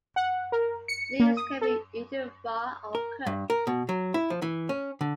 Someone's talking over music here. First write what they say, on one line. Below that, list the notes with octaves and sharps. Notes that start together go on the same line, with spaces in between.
Leaves can be eaten raw or cooked.
F#5
A#4
C#7
A#3
D#6
A4
A#4
G2
A#4
B2
F#3
E4
F3
E3
C#4
D3